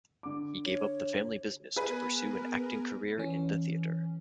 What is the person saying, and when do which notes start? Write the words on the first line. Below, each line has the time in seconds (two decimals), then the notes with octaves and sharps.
He gave up the family business to pursue an acting career in the theater.
0.23 D3 D6
0.65 C#5
1.76 B3 G#4 A#4 B4
3.18 E3 C#4